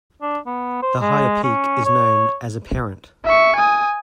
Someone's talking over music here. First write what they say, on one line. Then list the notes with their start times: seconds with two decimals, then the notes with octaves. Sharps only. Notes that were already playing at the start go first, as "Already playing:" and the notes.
The higher peak is known as a 'parent'.
0.22 D4
0.46 B3
0.82 C5
1.01 G#3
1.44 C#4
1.85 C#5
3.25 E5 C#6
3.56 G#5 D#6